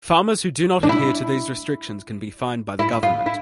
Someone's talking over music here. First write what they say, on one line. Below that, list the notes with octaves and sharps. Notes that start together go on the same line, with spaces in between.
Farmers who do not adhere to these restrictions can be fined by the Government.
D4
E4
E4
F4
E4